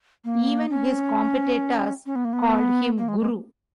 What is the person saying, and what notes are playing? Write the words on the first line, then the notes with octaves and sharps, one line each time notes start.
Even his competitors called him guru.
A#3
C#4
C#4
B3
A#3
B3
A#3
G#3
G#3